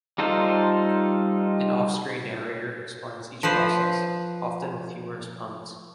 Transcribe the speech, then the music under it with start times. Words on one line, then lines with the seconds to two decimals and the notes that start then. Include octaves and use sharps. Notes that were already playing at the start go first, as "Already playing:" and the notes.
An off-screen narrator explains each process, often with humorous puns.
0.18 G3 D#4 F4 A4 C5
3.43 F3 B4 C5